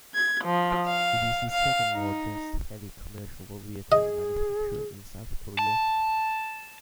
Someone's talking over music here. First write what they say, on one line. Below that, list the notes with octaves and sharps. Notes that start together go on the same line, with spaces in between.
It is the second-largest heavy commercial vehicle manufacturer in South Korea.
G#6
F3
F5
F5
D#4
G#4 D#5
A5